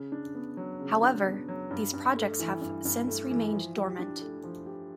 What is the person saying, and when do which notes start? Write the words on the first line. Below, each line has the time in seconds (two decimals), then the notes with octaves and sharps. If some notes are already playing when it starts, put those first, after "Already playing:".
However, these projects have since remained dormant.
Already playing: C#3
0.12 D4
0.35 B3
0.57 F#3
0.80 C#3
1.03 D4
1.26 B3
1.48 F#3
1.71 G2
1.93 G2
2.16 A3
2.39 E3
2.61 G2
2.85 G2
3.08 A3
3.30 E3
3.53 F3
3.76 G4
3.99 D4
4.21 A3
4.44 F3
4.66 G4